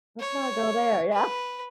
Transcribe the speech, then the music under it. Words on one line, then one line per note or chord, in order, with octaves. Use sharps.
Let's not go there, yeah.
C#5
B4